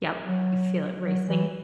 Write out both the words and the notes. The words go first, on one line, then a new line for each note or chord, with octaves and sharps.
Yep. You feel it racing?
F#3
F#3
E3